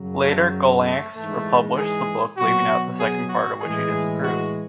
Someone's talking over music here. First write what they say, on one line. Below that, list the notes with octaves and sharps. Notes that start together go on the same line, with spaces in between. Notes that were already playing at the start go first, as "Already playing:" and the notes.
Later Gollancz republished the book leaving out the second part of which he disapproved.
Already playing: F#2 C#3 F#3
A3
A3
G#2 E3 G#3 A3
G#4
B2 F#3 F#4
G#4
F#4
A2 E3 G#3 G#4
F#4